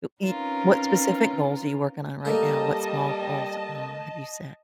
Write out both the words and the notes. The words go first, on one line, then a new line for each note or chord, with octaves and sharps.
You i what specific goals are you working on right now, what small goals, uh, have you set?
C4 C#4 D#4 F4 A#4 B4
G3 A#3 D#4 A4 D#5 A5